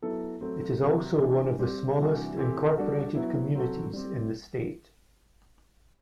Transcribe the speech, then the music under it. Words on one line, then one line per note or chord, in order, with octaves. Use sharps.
It is also one of the smallest incorporated communities in the state.
F#3 B3 E4 A4
F#3 A3 C4
C3 F#3 C4
C3 E3 B3 D4
G3 C4 G4
C3 E3 G3 D4 F#4
E3 A3 C4 G4
G3 D4 F#4 A4
F#3 B3 E4
F#3 C4 F#4 A4
G3 C4 G4